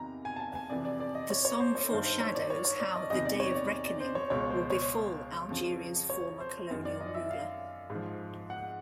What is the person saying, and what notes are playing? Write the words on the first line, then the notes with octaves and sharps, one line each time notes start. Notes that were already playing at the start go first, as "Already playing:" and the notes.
The song foreshadows how "the day of reckoning" will befall Algeria's former colonial ruler.
Already playing: E2 C3 D#3 A#5
G#5
A5
G#5
G#5
F2 C3 E3 D5
D5
D5
D#5
C#5
C#5
C5
C#5
G2 D#3 C5
C5
C#5
D5
C#5
C#5
D5
D#5
E2 C3 D#3 D#5
D5
C#5
D5
D5
C5
C#5
C#2 B2 C#5
C5
C#5
F2 C#3 F3
C#5
C5
F#2 D#3
D5
D#5
E5
F5
G#2
F3
F#5